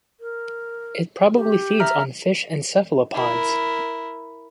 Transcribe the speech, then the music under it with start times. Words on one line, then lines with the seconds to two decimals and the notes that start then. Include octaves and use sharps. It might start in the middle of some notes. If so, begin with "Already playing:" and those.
It probably feeds on fish and cephalopods.
0.20 A#4
1.35 G4
1.80 E5 A#5 F6
3.14 E4 A#4